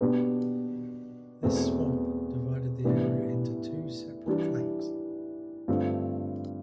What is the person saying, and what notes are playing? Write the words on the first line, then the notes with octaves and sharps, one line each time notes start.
This swamp divided the area into two separate flanks.
B2 B3 D4 G4 B4
E2 B2 A3 C4
A2 E3 G3 B3 D4
E3 G3 D4
G2 D3 A3 C4 F4